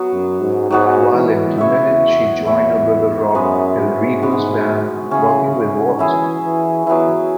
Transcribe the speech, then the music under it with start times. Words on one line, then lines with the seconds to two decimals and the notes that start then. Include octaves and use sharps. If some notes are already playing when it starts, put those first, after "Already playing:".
While in Dunedin, she joined her brother Rob Hellriegel's band, Working With Walt.
Already playing: F#3 B3 F#4
0.12 F#2
0.41 G#2
0.71 G#2 F#3 B3 F#4
1.14 E3
1.58 C#3 E4 C#5 E5
1.88 E2
2.18 E2
2.46 E4 C#5 E5
3.34 F#2 G#3 B3 F#4 B4
3.79 G#2
4.22 G#3 B3 F#4 B4
5.11 C#3 C#4 E4 G#4
5.54 C#3
5.99 E3 C#4 E4 G#4
6.43 E3
6.86 E3 F#3 B3 E4